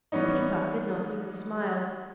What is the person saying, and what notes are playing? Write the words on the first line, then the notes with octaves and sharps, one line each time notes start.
The Peacock did not even smile.
E3 G3 B3 C#4 D#4